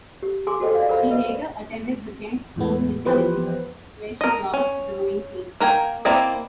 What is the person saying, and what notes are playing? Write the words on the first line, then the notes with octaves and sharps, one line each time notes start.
She later attended the Kent School in Connecticut, where she joined the rowing team.
G4
G#4 G#5 C6 D6
F#4 A4 C5 D#5 G5
D5 F5
A#4 C5 F5 F#5 B5
B4 D#5 E5
E2 A2 G#3 B3
E3 F3 B3 G4 B4 C5
A#4 D#5
C#4
A#3 A#4 G5 G#5
A#3 C4 E4 D5 D#5